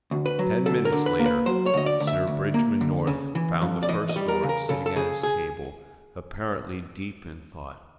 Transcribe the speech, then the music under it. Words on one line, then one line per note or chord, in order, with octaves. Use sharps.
Ten minutes later Sir Bridgman North found the First Lord sitting at his table, apparently deep in thought.
D2
B4
F#3
D2 A4
A#4
D3
B4
A#3
B4
F#3 C5
C#5
D2 D#5
D5
D2
E5
D2
A#3
D3
C#3
E3
F2
D5
E3 D#5
D#5
G3
A#4
C#3
A#4
C#3 A4
A4
C#3 G#4
G#4